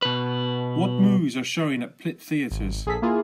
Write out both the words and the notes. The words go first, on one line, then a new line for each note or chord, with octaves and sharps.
What movies are showing at Plitt Theatres.
B2 B4
G#1
A#1 G#4 A4 B6
A#3 E4 F4 G#4